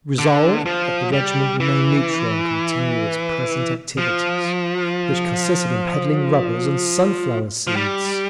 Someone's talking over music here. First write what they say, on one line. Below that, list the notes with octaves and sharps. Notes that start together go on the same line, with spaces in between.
Resolved, that the regiment remain neutral, and continue its present activities--which consisted in peddling rubbers and sunflower seeds!
D3
F3
G3
E3
F3
F3
G3